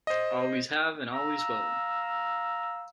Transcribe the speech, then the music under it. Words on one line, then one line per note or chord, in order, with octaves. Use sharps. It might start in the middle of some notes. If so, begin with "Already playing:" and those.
Always have and always will.
C5 D#5
F5 A#5 E6